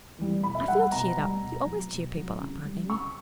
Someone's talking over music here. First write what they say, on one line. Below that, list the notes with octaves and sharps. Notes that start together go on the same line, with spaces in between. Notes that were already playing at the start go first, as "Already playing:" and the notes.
I feel cheered up--you always cheer people up, Aunt Emmy.
E3 G3
B2 B5
E5
G3 F#5
B2 A#5
G3
B2
F#3
B2
F#3
C#3
G3
C#3 C#6